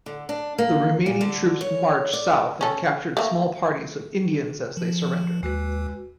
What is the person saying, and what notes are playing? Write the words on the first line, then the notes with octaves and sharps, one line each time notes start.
The remaining troops marched south and captured small parties of Indians as they surrendered.
D3
D4
A#3
A#2
D3
C#5
D5
C#4 A4
A3 A#3
F3
D#2 G#3 F#4 B4